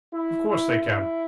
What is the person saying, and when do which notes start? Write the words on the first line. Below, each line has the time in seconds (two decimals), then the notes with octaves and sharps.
Of course they can.
0.14 E4
0.49 E4
0.83 E4